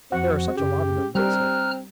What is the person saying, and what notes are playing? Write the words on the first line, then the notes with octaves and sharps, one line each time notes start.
"There are such a lot of them," he said.
F2 F3 F#4 F#5
F#2 C#3 G4
G3 C4 A#4 A#5 F6 F#6